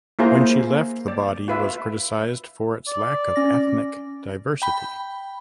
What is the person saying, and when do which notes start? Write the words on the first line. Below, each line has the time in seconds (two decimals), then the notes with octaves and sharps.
When she left the body was criticised for its lack of ethnic diversity.
0.19 A#3 E4 F4 G#4 C5 A#5
1.08 D5
1.48 F4 B4 E5
2.88 D5
3.36 C#4 A#6
4.62 G5 B5